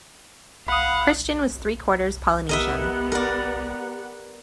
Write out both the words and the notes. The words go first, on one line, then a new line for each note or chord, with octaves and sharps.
Christian was three quarters Polynesian.
F5 F#5 B5 D#6
B3 G4 A#4 D#5 E5 F#5
A#4 D5